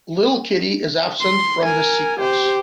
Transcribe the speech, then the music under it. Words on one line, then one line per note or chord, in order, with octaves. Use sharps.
Little Kitty is absent from this sequence.
C6
A#4 G#5
G4 C5